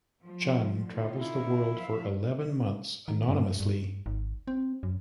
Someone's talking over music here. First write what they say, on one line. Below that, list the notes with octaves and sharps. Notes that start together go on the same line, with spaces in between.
Chun travels the world for eleven months anonymously.
F3
D3 D#4 F4
E4
F3 E5 F5
D#3
G2
G2
G#1
C4
F#2